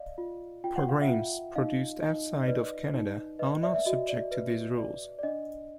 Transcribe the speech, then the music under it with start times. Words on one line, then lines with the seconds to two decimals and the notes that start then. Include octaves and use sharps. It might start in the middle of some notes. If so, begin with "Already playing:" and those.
Programs produced outside of Canada are not subject to these rules.
Already playing: D5 D#5 F5
0.18 F4
0.64 F4 G5
0.76 F#5
0.89 F5
1.01 E5 F#5
1.09 F4
1.55 D#4 D#5 F5
2.01 D#4 D#5
2.43 D#5
2.48 B4 D5
2.94 D#4
3.39 B4 D#5
3.63 D5 E5
3.75 E5
3.85 F#4 D#5
4.09 D5
4.31 B4
4.78 D5
5.19 D5
5.23 D4 D#5